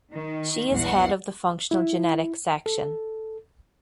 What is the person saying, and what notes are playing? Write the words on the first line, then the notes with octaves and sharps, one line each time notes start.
She is head of the functional genetics section.
D#3
A#1 E2 G3 F#5 C7
E4
A4